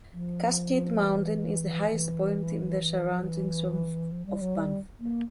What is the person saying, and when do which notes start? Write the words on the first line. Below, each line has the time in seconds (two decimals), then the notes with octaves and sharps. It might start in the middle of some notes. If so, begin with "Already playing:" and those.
Cascade Mountain is the highest point in the surroundings of Banff.
0.13 F3
1.02 E3
1.90 E3
3.12 F3
3.23 E3
4.12 F3
4.26 G3
4.41 F#3
4.55 G3
5.00 A#3